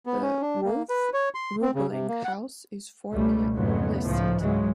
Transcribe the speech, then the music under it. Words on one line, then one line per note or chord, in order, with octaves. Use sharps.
The Wolf-Ruebeling House is formerly listed.
B3
C#4
D4
A#3
B4
C#5
C6
C4
C#3
C3
A#3
F#5
C#2 B2 G3 A3
F2 G#2 C#3 F#3 A3 B3
C#2 A2 D#3 F3
C#2 G#2 C#3 E3 F#3 G#3